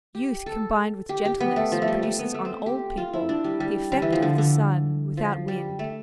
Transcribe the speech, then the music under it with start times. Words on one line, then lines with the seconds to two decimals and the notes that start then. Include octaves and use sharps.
Youth combined with gentleness produces on old people the effect of the sun without wind.
0.15 G4
0.46 A4
1.09 G4
1.25 G4
1.40 B3
1.56 A3
1.72 F3
1.82 A3
1.88 G3
2.03 A3
2.19 B3
2.34 A3
2.45 C4
2.66 G4
2.97 F4
3.13 E4
3.29 D4
3.44 G3
3.60 G3
3.92 G3
4.02 E3
4.12 F3
4.22 D3
4.38 D3
5.17 F3
5.48 G3
5.79 A3